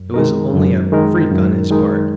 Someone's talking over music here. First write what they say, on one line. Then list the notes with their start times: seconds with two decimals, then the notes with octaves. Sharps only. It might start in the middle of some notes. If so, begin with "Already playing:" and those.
It was only a freak on his part.
Already playing: F#2
0.14 D#3 G#3 D#4 A#4
0.53 F#2
0.92 D#3 G#3 D#4 A#4
1.31 F#2
1.70 D#3 G#3 D#4 A#4